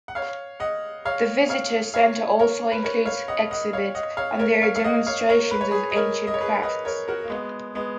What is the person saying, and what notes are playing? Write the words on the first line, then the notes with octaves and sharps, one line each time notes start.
The visitor centre also includes exhibits, and there are demonstrations of ancient crafts.
F#5
C#5 F5
D#5 F#5
C#5 F5
C#5 F5
C#5 F5
A#4 C#5
B4
A#4 C#5
C#5 F5
D#5 F#5
D#5 F#5
C#5 F5
D#5 F#5
C#5 F5
A#4 C#5
C#5 F5
F5
D#5 F#5
C#5 F5
A#4 C#5
B4
C#5
G#4 B4
D#5
A#4 C#5
D#5
C#5
G#4 B4
B4 D#5
A#4 C#5
F#4 A#4
A#3
G#3 B3
G#3 B3